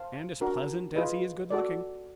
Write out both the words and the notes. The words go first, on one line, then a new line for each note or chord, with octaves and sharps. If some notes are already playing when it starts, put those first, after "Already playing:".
And as pleasant as he is good-looking.
Already playing: C5 F5 A5
D4 F#4 A#4
F4 G#4 B4 D#5
F#4 A4 D5